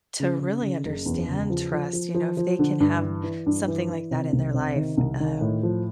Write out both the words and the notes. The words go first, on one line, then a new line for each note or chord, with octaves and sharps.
to really understand trust, you know, if they can have something like that, in their life, um,
C#3
C#3
C#3
F#1
E2
C#3
F3
F3
F3
F3
F3
D3
G2
E3
E3
G2
E3
E3
C3
C2
C3
D#3
C2
D#3
A2
F3